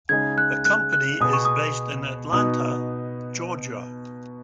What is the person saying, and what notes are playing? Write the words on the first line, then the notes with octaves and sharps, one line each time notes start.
The company is based in Atlanta, Georgia.
C#3 G#3 D#4 G#4 G#6
F#6
F#6
F#6
B2 B3 G#4 D#6
C#6
D#6
B2 B3 D#4 F#4 D#6